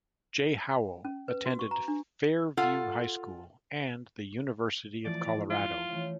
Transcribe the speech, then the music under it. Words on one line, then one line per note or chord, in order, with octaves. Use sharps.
Jay Howell attended Fairview High School and the University of Colorado.
C#4
B4
F#4
C#6
A#5
D4
F4 A4 F#5
E3 F3 A3 D5
F4
E3 A3 C#4